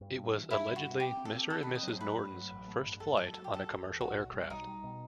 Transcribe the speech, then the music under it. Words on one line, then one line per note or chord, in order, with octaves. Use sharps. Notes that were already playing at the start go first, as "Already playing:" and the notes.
It was allegedly Mr. and Mrs. Norton's first flight on a commercial aircraft.
G2
G2
E3
G2 E4
G2
F#4
G2
C4 G4
C4
A4
C4
D#3 A4
C4 B4
D#5
F#3 C5
A3 B4
G2
F#3
A1
A3
G2
E2 A4
F#3 A4
F#3 A4
G4
F#3 A4
F#3
E2
B1 F#4
B1
G3
B1 D#4
G3
B2